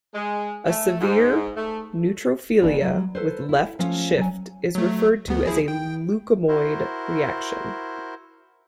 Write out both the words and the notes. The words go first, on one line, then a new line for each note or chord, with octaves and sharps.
A severe neutrophilia with left shift is referred to as a leukemoid reaction.
G#3
A3
G#2
A3
E3 A#3 D4 D#4 F#4
F#3
A4 B4 C5
E4
F3 A3 C#4 F4
F#3 C#5 G#5
F#3 A3
D2 B3
F3 E4 G#4
G5
E4 F#4 A#4 C5